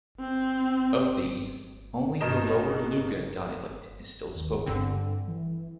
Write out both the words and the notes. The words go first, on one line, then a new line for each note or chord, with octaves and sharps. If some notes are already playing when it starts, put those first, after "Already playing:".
Of these, only the Lower Luga dialect is still spoken.
C4
G2 B2 A#4 D#5 E7
D#2
G1 G2 D3 C4
E3